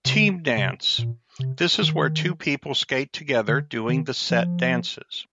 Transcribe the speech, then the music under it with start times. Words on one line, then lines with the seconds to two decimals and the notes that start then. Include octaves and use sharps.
Team Dance; this is where two people skate together doing the set dances.
0.05 C3
0.15 D3
0.57 C3
0.98 A#2
1.39 C3
1.82 D#3
3.48 D3
3.89 D#3
4.30 F3